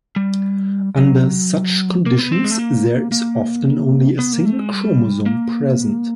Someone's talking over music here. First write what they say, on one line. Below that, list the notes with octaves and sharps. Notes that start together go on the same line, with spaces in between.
Under such conditions there is often only a single chromosome present.
G3
F#3
A#3
B3
C4
G#3
A3
A#3
A#3
B3
A#3
A3
G#3
G3
A#3